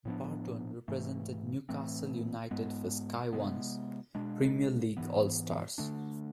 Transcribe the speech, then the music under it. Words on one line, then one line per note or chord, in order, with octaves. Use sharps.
Barton represented Newcastle United for Sky One's "Premier League All Stars".
A2 F3 B3 D4
G#2 E3 A3
A2 E3 A3 C4
G#2 G#3 B3
C3 G#3 B3
B2 G#3 D4
G#2 E3 B3
D3 A3 D4